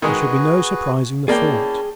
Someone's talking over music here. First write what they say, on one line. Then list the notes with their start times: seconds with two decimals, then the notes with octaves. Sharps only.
There should be no surprising the fort.
0.02 D#3 G#3 F#4 G#4 B4
1.28 A#3 C#4 E4 G#4 D5 G5 A5